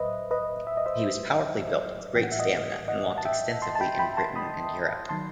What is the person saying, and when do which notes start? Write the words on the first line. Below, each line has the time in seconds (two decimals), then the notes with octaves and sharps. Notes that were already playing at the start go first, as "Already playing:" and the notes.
He was powerfully built, with great stamina, and walked extensively in Britain and Europe.
Already playing: A2 F#3 B4 C5 D#5 E5
0.31 B4 D#5
0.67 E5
0.77 D#5
0.86 C5 E5
2.15 A2 E3 G3 G5
2.23 F#5
2.32 E5
2.39 D#5 F#5
2.88 D#5 F#5
3.18 A5
3.25 E5 G5
3.62 A5 C6
3.75 A5
3.80 G5 B5
3.99 G5 B5
4.17 A5 C6
4.36 B5 D#6
5.09 D#3 F#3 A5 C6